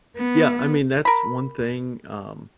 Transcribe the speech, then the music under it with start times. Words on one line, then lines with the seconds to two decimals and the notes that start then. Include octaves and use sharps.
Yeah, I mean, that's one thing, um,
0.16 B3
1.05 A#4 B5